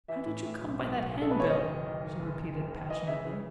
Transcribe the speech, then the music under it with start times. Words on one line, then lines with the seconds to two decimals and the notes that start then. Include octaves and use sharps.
"How did you come by that handbill?" she repeated, passionately.
0.08 E3 E5
0.26 A2
0.44 A2
0.61 B1
0.79 B1
0.96 B1
1.14 B1
1.21 A4
1.31 E3 B4
1.40 C#5
1.50 F#1 D#5
1.67 D#3
1.85 D#3
2.02 D#3
2.20 F#1
2.37 F#1
2.55 F#1
2.72 F#1
2.90 E3 D#5
3.07 C#3 E5
3.25 C#3